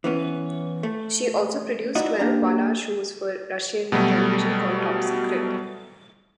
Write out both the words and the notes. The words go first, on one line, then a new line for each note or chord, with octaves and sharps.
She also produced Twelve one-hour shows for Russian television called "Top Secret".
E3 B3 C#4
A3
D#4 E4 F#4 D5 D#5
A#3 D4 G4 A#5
B2 F#3 G3 A3